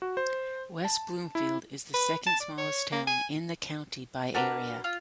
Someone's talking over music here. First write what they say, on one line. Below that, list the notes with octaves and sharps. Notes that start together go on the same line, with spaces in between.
West Bloomfield is the second smallest town in the county by area.
F#4
C5
A5
E4
B4
A5
D5
C#5
A#3
G#5
D4 F#4 A#4 B4
F4